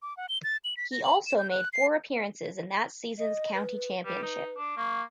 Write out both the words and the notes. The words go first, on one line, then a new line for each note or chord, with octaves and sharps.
He also made four appearances in that seasons County Championship.
D6
F#5
G7
A6
F#7
B6
A#6
F#7
E7
G6
F#6
C7
D#5
B4
G3 B4
D#4
D4
A#3 C#6